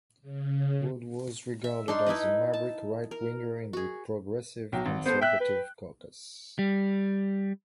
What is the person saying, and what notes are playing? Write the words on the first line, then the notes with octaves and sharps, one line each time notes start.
Wood was regarded as a maverick right-winger in the Progressive Conservative caucus.
C#3
E5
D4 D#4 C6
D#4 E4 B4 D#5
A5
A#4
F#4 G#4
B1 F#3 G5
G#1
B3 A4 C5
E5 G5 F#6
B4
G3